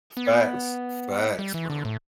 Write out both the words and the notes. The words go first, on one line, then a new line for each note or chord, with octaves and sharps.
Facts. Facts, bro.
B3
G3
E3
D3
A2